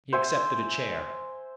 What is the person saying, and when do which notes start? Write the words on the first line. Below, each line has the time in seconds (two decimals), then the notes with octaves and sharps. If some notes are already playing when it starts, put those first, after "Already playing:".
He accepted a chair.
0.13 C5 E5 G#5